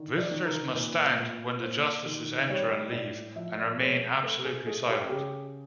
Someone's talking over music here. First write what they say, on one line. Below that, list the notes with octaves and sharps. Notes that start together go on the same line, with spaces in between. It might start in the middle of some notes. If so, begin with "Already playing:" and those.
Visitors must stand when the Justices enter and leave, and remain absolutely silent.
Already playing: D3 D#3
D5
D#3
A#4
A#2 B4
A#2 B4
A#3 C5
D#3
G3 C#5
A2 D5
F3 E5
D5
G#3 C#5
A3 B4
G#4
A3 G#4
G4
C#3 G4